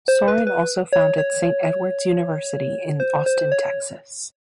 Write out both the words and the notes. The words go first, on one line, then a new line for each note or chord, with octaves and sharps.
Sorin also founded Saint Edward's University in Austin, Texas.
C5
B4
B4
C#5
C#5
C5
C5
C#5